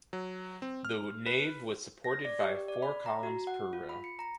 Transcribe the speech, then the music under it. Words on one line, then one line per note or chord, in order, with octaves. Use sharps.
The nave was supported by four columns per row.
F#3
C4
F6
B4
A#6
D5
G4
D5
B5
A#5
F#4
F#5
F4
B5
C#7
A#5